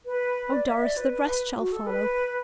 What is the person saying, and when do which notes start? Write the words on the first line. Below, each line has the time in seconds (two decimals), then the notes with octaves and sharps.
Oh, Doris, the rest shall follow.
0.06 B4
0.51 D5
0.67 E5
0.82 D5
0.97 B4
1.57 F#4
1.72 A4
1.86 B4